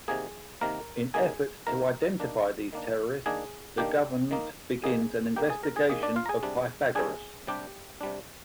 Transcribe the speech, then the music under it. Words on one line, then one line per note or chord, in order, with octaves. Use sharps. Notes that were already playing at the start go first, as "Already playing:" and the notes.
In efforts to identify these terrorists, the government begins an investigation of Pythagoras.
C3 D#3 A#3 G#4 G#5
C3 D#3 A#3 A#4 A#5
C3 D#3 A#3 G#4 G#5
C3 D#3 A#3 A#4 A#5
D#3 A#3 D4
D#3 A#3 D4
D#3 A#3 D4 G#4 G#5
D#3 A#3 D4 G4 G5
D#3 A#3 D#4
D#3 A#3 D#4 G#4 G#5
D#3 A#3 D#4 G4 G5
G#4 G#5
A#4 A#5
G#4 G#5
D#3 A#3 D#4 G#4 G#5
D4 D5
F4 F5
A#5
G#4 G#5
C3 G3 D4
C3 G3 D4 G#4 G#5
C3 G3 D4 G4 G5
C3 G3 D4